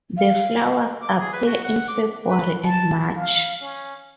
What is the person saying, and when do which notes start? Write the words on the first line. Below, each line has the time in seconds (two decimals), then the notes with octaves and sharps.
The flowers appear in February and March.
0.17 F5
1.02 D6
1.20 G#4
1.33 B4
1.46 F#4
1.64 F#5
1.88 D6
2.26 B4
2.63 A5
3.16 F5
3.61 C#4